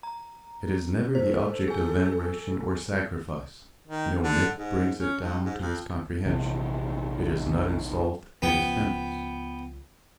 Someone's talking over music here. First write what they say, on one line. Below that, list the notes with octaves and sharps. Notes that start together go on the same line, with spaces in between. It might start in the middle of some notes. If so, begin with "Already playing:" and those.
It is never the object of veneration or sacrifice, no myth brings it down to his comprehension, it is not installed in his temples.
A#5
A4 C5
G#4 G#5
D#3
D3
G#2
C#4
G2
G#2
F2
A#1 C3 E3
C#2 F3 B3 G5